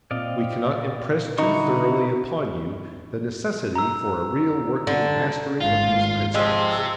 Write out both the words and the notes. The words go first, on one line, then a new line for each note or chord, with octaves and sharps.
We cannot impress too thoroughly upon you the necessity for a real working mastery of these principles.
A#2 C4 D5 D#5 F5
D3 D#4 E4 F#4 C#6
A#5 E6
D3
G#1 F4 F5
F3 G#3 G4 C5 E6